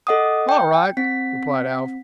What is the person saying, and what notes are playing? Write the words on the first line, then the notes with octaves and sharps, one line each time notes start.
"All right," replied Alf.
A4 D#5 F#5 D6 D#6
G5
C4 B6